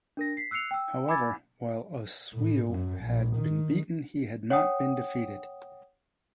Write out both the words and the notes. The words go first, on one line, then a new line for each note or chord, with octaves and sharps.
However, while Oswiu had been beaten he had not been defeated.
D4 A#4 A#6
B6 C7
E6 F#6 C7 C#7 F7
G5 E6
G#5 B5 D6 E6 G#6 A6
A2
F#2
A#1
D#3
C#5 F#5 G5 D#6